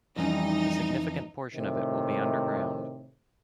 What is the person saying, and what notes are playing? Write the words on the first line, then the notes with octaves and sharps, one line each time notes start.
A significant portion of it will be underground.
F2 E3 G3 C#4 D#4
A2 C3 D#3